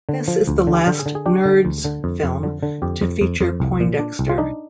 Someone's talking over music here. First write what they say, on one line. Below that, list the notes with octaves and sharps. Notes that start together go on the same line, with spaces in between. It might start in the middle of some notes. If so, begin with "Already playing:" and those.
This is the last "Nerds" film to feature Poindexter.
D3
F3
D2
D3
G4
D3
G#4
D3
G#4
D4 G4
D3
D2
D3
F2
F2
D3
D3
F2 G4
F2
F2
F2
C2
A#2
D4
C2
F4
D4 D#4